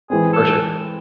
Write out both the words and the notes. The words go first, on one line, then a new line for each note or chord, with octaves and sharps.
For sure.
E3 G#3 C4 G#4
A4